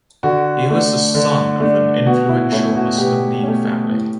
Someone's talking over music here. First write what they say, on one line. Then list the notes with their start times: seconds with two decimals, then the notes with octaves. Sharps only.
He was the son of an influential Muslim League family.
0.23 D3 F#4
0.69 A3 D4
1.15 D3
1.60 A3 D4
2.06 B2 F#4
2.29 E4
2.52 A3 C#4 E4
2.75 F#4
2.98 B2 G4
3.43 A3 C#4
3.89 A2